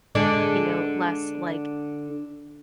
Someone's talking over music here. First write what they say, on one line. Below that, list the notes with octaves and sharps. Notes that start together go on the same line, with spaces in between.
you know, less, like,
D3 G#3 D4